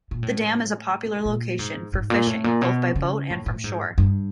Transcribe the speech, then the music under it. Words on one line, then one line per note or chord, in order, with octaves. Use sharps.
The dam is a popular location for fishing, both by boat and from shore.
A#2
A2
A#2
G#2
G#2
A#2
A2
A#2
B2
C#3
A2
A2
G#2
G2